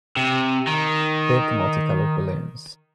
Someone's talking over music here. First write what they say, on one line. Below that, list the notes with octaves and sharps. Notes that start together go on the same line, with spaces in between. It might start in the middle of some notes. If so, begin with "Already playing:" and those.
Big multicolored balloons.
C3
D#3